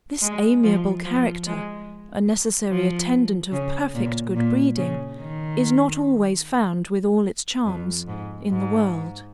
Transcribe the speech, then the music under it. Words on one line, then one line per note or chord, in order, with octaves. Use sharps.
This amiable character, a necessary attendant of perfect good breeding, is not always found with all its charms, in the world.
G#3
F3
F3
G#3
F3
C#3
A#2
A#2
C#3
D#3
F2
G#2
G#2